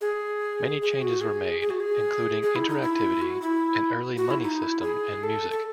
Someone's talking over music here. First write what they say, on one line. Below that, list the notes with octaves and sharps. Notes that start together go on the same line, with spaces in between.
Many changes were made, including interactivity, an early money system and music.
G#4
G#4
F#4
G#4
G#4
F#4
G#4
G#4
E4
D#4
E4
F#4
E4
F#4
E4
D#4
E4
G#4
A4
A4